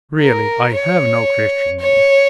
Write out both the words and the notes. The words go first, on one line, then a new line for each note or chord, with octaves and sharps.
Really, I have no Christian name.
A#4
C#5
C#5